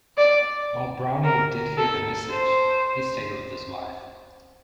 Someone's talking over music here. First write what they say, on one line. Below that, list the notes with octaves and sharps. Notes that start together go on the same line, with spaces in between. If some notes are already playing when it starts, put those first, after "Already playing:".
While Browning did hear the message, he stayed with his wife.
D5
A#4
A4
C5